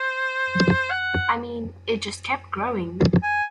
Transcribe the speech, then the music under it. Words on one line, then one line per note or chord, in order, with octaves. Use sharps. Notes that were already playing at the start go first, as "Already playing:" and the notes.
I mean, it just kept growing!
Already playing: C5
F#5
G#5